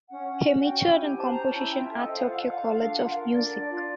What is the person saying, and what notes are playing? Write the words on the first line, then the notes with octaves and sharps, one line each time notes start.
He majored in composition at Tokyo College of Music.
C#4 F#5
C#4
F#4
C#4 G5
E4
G#5
G4
C5 A5
C#4 A#5
A5
E4 G#5
G#5
F4 G5
E5
A4
D#5
C5 F5
F4 F#5
F5
F4 F#5
F5
A4
D4 F5
F4 F#5
F5
A#4
D4 D5
D4
D5
F4